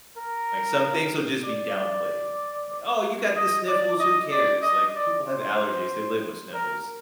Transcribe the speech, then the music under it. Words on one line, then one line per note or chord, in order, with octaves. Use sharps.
Like, some things will just be downplayed. Like, "Oh, you got the sniffles, who cares? Like, people have allergies, they live with sniffles."
A#4
D5
D#5
D5
D#5
D5
D#5
D5
C5
A#4